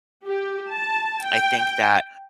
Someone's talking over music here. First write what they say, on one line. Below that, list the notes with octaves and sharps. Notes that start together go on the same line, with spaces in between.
I think that,
G4
A5
G5